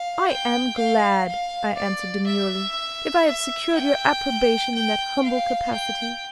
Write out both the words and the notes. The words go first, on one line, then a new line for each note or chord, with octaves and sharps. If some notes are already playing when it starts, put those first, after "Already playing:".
'I am glad,' I answered demurely, 'if I have secured your approbation in that humble capacity.
Already playing: F5
G5
F5
F5
D5
E5
E5
G5
G5
F5
G5